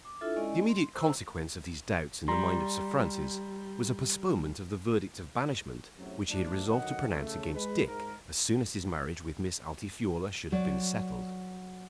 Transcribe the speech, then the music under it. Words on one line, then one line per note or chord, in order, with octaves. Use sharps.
The immediate consequence of these doubts in the mind of Sir Francis was a postponement of the verdict of banishment which he had resolved to pronounce against Dick as soon as his marriage with Miss Altifiorla should have been settled.
D6
D4 E4 F4 A4 E5
G#3 C#4 E4 D5 D#5 G#5
C6
C5 A#5 E6
G3 A#5 C6
F#2 A2 C3 F#3
F3 A3 D4
D3 D#3 F#3 D#5 F#5
C#3 A3
G#3 B4
G#2 A#4
F#3 D5